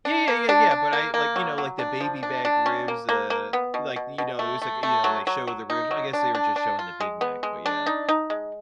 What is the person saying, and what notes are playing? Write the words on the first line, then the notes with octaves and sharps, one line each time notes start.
Yeah, yeah, yeah, yeah, but I like, you know, like, the baby back ribs, uh, like, you know, it was like you know, they show the ribs I guess they were just showing the Big Mac, but yeah.
D4
A#3
D4
D4
A#3
A#3
F#3
F#3
D4
F3
D4
D4
C#4
A#3
A#3
A#3
B3
B2
B2
B2
A3
A3
A3
F#3
F#3
F#3
D#4
F#3
D4
D4
D4
F4
G#3
B3
G#3
D4
D#4
D#4
G#3